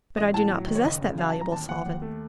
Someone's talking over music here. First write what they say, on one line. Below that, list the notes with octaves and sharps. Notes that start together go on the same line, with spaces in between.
But I do not possess that valuable solvent.
A1 D#5
A2 A5
F#3
D#3
C#5
F#1 D#5
C#3
F#3 F5
A5
A1
A#5
D#2 A5
D#2 F#5
D#2
A3